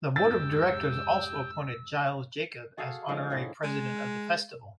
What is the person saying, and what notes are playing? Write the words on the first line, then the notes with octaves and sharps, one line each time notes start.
The board of directors also appointed Gilles Jacob as Honorary President of the Festival.
F1 G#2 G4 E6 A6
F#4 G#4 A4 F5
D3 F3 G#3 D#4
A2 A#3 G#4
G#3